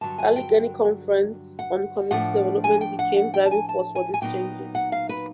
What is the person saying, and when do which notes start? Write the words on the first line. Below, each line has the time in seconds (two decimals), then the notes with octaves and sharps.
The Allegheny Conference on Community Development became a driving force for these changes.
0.01 G2 D3 F#3 A5
0.18 G#5
0.36 G5
1.59 F#5
2.11 A2 F3 A3 D4 F#5
2.64 G#5
2.81 G5
2.99 F#5
3.17 F#5
3.34 G5
3.46 A5
3.51 G#5
3.69 A5
3.95 G#5
4.14 G#5
4.21 A#2 F#3 B3 D#4 G5
4.75 F#5
4.92 F5
5.09 B4